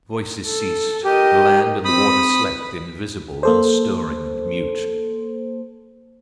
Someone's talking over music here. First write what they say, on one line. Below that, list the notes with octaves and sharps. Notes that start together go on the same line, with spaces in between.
The voices ceased. The land and the water slept invisible, unstirring and mute.
A4
G4 A#4 D#5
C4 B5 D#6
B4
A#3 A4 C5